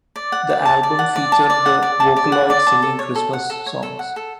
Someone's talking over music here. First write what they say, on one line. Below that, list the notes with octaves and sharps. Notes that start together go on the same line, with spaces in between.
The album featured the Vocaloid singing Christmas songs.
D5
F#5
D5
A5
D5
F#5
D5
A5
D5
F#5
D5
A5
D5
F#5
D5
A5
A4
C#5
A4
F#5
A4
C#5
A4
F#5
A4